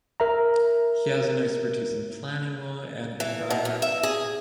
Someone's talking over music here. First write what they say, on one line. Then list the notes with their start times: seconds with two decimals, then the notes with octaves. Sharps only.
He has an expertise in planning law and environmental law.
0.20 A#4 E5 A#5
3.20 E3
3.50 B2
3.65 F#2
3.82 E5
4.03 G#4